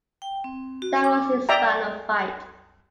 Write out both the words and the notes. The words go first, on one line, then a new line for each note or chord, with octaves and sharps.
That was his final fight.
G5
C4
F#4
D6
D5 E5 G5 A#5